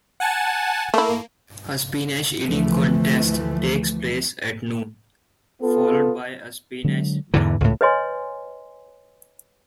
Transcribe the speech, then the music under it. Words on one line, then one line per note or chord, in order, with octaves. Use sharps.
A spinach eating contest takes place at noon, followed by a spinach drop.
F#5 G#5 A5
A3 A#3 E4
D2 E3 F3 A3
B3 F4 A4
D3 F#3 G#3
E2 G#2 D3 E3
C#2 A2
B4 C#5 D#5 G#5 C6